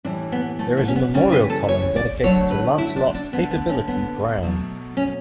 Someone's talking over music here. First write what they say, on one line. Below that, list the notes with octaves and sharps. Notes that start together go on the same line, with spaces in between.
There is a memorial column dedicated to Lancelot "Capability" Brown.
A2 E3 G3 D4
B3
A3
B3
C#4
B3
C#3 E3 G3 C#4
B4
A4
C#5
D5
D3 F#3 A3 C#5
B4
E4
D4
D4
D3 A3 B3
B3
C#4
B3
B2 F#3 A3
C#4